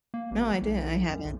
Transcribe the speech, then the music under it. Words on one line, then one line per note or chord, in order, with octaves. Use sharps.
No, I didn't I haven't.
A#3
A1
B1
F#2
B1